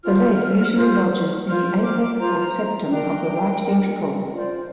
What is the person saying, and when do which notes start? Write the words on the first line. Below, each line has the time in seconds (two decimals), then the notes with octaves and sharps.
The lead usually lodges in the apex or septum of the right ventricle.
0.03 F4 C5 F6
0.75 F4 C5
1.47 F4 C5 F6
1.83 D6
2.19 F4 C5 A#5
2.90 D4 A#4 G5
3.62 D4 A#4
4.34 F4 C5 D5